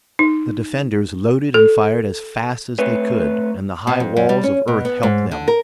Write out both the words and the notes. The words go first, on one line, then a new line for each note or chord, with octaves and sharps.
The defenders loaded and fired as fast as they could and the high walls of earth helped them.
D#4
A4
A3 C4 B4 C#5
B2
F2
F#2
G3
C#4
B2
B3
G#2
D3
A#4